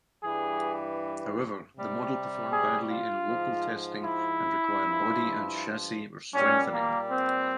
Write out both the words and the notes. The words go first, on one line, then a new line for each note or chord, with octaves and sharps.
However, the model performed badly in local testing, and required body and chassis strengthening.
G2 E3 G3 G#4
C3 G3
G#4
F4
G#2 F3
E4
G2 F3
A#2 G3 C#4
A#3
C4